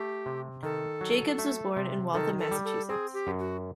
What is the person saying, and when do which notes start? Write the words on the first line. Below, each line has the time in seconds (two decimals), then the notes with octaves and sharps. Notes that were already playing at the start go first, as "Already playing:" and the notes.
Jacobs was born in Waltham, Massachusetts.
Already playing: A3 G4
0.26 C3
0.63 D#3 A4
1.01 F#3
1.38 A3
1.76 C3
2.13 D#3 A4
2.39 A4
2.51 G3
2.64 A4
2.89 C4 G#4
3.14 G4
3.27 F#2
3.39 F#4